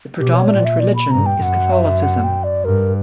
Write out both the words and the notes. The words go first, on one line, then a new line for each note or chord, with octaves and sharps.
The predominant religion is Catholicism.
B2 G4
C#5
A#2 D5
E5
D5
B5
G2 A#5
G5
F#2 F#5
E5
F#5
G5
D5
G2 A#4